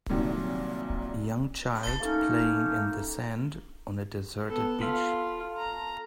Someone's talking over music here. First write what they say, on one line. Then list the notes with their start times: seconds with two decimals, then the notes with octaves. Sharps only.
Young child playing in the sand, on a deserted beach.
0.09 C2 A#2 D#3 F#3
2.00 A3 A#3 C#4 D#4
4.48 B3 A4
4.81 F4 A4 F5 B5
5.57 A#5